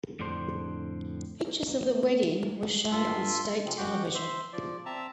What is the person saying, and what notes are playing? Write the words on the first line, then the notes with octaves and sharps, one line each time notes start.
Pictures of the wedding were shown on state television.
F2 A2 D3 D4 C5
G2 F4 A4 E5 C6
C3 F3 G#3 C4
F#2 F#4 G5 D6
C5 E5 C6
F3 D5
C4 E5 A5 A#5